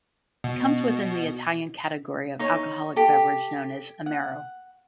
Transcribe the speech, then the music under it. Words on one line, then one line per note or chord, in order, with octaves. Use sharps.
It comes within the Italian category of alcoholic beverage known as amaro.
B2
D#4 C#5
G4 A4
F#5